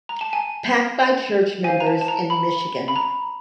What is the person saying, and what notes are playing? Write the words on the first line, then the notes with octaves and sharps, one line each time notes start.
Pack by church members in Michigan.
A#5
A5
G#5
C5 F5 G#5
A#5
A5
A5
A#5
B5
B5
A#5